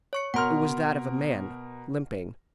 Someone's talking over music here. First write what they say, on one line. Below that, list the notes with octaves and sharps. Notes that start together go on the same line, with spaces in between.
It was that of a man, limping.
C#5 C#6 C#7
B2 A#4 F#5 C6 F6